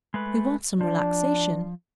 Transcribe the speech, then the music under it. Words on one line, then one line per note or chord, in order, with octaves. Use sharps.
"We want some relaxation."
G#3 A3 B4
F3 D4